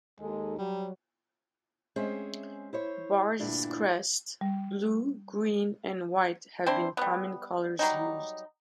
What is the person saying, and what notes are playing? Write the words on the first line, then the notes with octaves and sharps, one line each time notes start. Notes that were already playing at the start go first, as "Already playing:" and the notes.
Bar this crest, blue, green and white have been common colours used.
D#2 G#3 D#4 A4
F#3 G3
G#3 C4 C#4 G#4 C5 E5
E4 C5 C#5
D2 G2 A#2 D4 E4
G3
C4 D4 E4 C5
G3 B3
F#3 G3 D#4